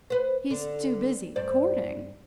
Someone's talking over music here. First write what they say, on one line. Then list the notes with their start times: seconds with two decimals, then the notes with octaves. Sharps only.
"He's too busy, courting."
0.10 B4 C5
0.50 D3
1.36 G2 C5 D5